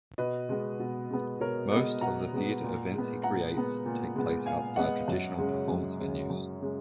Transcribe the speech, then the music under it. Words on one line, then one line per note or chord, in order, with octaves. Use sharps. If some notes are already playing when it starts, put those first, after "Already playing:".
Most of the theater events he creates take place outside traditional performance venues.
B2 B4 D#5
G#3 B3
B2
G#3 B3
B2 A#4 C#5
G#3 B3 B4 D#5
B2 F#5 A#5
G#3 B3
A#2
G#3
B3
A#2 F#5 A#5
G#3 B3
A#2
G#3 B3
A#2 F5 G#5
G#3 B3 D#5 F#5
F#2
C#3 G#3
F#2
C#3 G#3
F#2
C#3 G#3